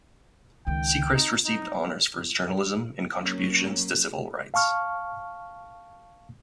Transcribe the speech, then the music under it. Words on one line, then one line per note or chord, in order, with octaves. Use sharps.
Secrest received honors for his journalism and contributions to civil rights.
C#2 D#3 G5
C4 D#4
D#4
F#3 A#3 C#4
F5 A5 C#6 F6